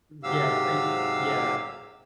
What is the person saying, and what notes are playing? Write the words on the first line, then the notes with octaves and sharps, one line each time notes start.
N yeah. Pre yeah.
G#2 C3 F#3 G4 F5 E6